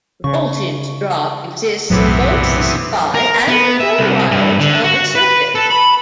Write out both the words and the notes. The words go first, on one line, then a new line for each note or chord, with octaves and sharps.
Voltage drop exists in both the supply and return wires of a circuit.
C#3 C#6
B1 F#2 A2 C3 E3 F#3 B3
A#4
B3
E5
C2
G2
D3
F#4
B4
A4
B5